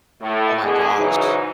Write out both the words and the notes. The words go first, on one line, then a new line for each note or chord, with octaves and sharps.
Oh my gosh.
A2
B2 D3 G#4
G#2 C#3 E3 F#3 D#4